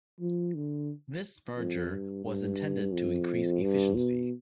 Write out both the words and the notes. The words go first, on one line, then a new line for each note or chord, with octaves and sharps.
This merger was intended to increase efficiency.
F3
D3
F2
G2
G2
F2
G2
B2